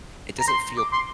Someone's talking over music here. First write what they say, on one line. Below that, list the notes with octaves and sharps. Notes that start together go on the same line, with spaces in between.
it doesn't feel
A#5
C6
D6
C6